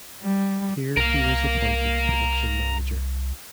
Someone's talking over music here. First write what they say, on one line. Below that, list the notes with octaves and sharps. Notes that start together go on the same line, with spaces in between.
Here he was appointed production manager.
G3
C2 A#4 F5